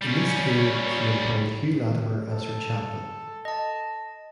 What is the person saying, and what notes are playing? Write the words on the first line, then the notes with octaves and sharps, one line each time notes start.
In this period she employed Hugh Latimer as her chaplain.
G3 C#4
A4
D#5 A5